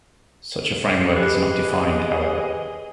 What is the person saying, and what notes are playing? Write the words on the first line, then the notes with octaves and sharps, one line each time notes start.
Such a framework is not defined, however.
G4 G#4 B4 D#5